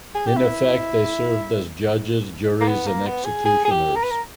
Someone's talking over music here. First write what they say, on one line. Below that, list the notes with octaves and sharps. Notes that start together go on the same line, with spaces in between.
In effect they served as judges, juries, and executioners.
G#4
G4
E4
A#3
B3
A#3
B3
G#4
G#4
G#4
G4
A#4
B4
A#4